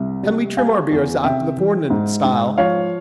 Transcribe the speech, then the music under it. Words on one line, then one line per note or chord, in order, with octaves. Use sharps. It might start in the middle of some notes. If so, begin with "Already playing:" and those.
Can we trim our beards after the foreign style?
Already playing: C2 C3 E5
G3
G3 F5 G#5
E2
C3 E5 G5
E3
G#2
G#2
F3 C#5 F5